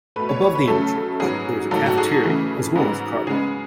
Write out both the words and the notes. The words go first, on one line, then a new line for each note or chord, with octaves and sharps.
Above the interchange, there is a cafeteria as well as a car park.
B2 A3 B4
C#5
C#5
B4
C#3 F#3 A3 A4
G#2 F#3 B3 G#4
G#2 F#3 A3 A4
F#4
G#4
C#3 E3 A3
G#2 F#3 B3
C#3 G#3 B3 G#4